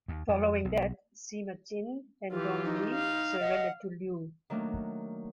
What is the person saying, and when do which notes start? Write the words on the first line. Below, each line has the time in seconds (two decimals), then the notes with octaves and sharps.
Following that, Sima Xin and Dong Yi surrendered to Liu.
0.08 D#2
0.28 F2
0.65 B1
2.33 E3 F4 G4
2.64 D#4
2.94 F5
3.40 D#5 F#5
4.50 D#3 F#3 A3 A#3 D4